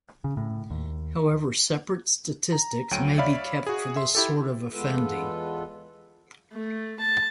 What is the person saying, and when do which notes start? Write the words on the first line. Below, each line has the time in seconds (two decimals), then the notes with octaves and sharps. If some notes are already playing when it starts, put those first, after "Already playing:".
However separate statistics may be kept for this sort of offending.
0.24 C#3
0.37 A2
0.71 D#2
2.52 A#5
2.91 D2 F#3 G5 D7 D#7
3.18 C#5 D5 E5 F5 B5
3.67 F#4 G#4
3.96 E5 C6
4.15 E4 G4 A4
4.73 E2 G#3 B3 F4 A4 B4
6.53 A3
7.00 A5